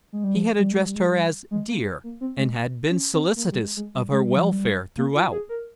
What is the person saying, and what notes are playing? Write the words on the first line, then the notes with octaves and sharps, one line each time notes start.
He had addressed her as "dear," and had been solicitous of her welfare throughout!
G#3
G3
F3
G3
G#3
G3
G#3
G3
G#3
A#3
A#3
C4
G#3
C#4
C4
A#3
G3
G#3
G#3
G3
G#3
G3
F3
G3
A#3
F4
G#4
A#4